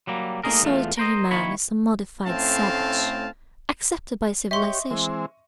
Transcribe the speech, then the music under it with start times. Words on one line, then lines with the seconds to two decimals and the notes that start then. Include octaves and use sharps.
The solitary man is a modified savage, accepted by civilization.
0.07 F#3 G3 A#3
0.44 A3 A#3 C#4 D#4 G#4 A#4
0.63 E2 A3 F4
0.97 A#4 C5 D#5
1.31 D#3 A#3 E4 C#5 B5
2.26 A2 A3 C4 C#4 F5 A5
4.51 G4 C#5 D#5 E5 C6 C#6
4.91 E3 G#3 C4